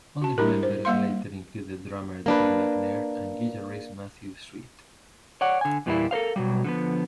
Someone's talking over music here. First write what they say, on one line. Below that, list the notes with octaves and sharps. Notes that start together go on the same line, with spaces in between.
Other members later included drummer David McNair and guitarist Matthew Sweet.
F#4 A5
G3 D4 E4 G4 A#4
C5
G3 A#3 F5 C6
A#3 D4 B4
C#5 D5 F#5
D3 G#5
E2 A#2 E3 G3 A#3 E4
A4 A#4 C5 F5
B2 F#3 G3
D3 F3 B3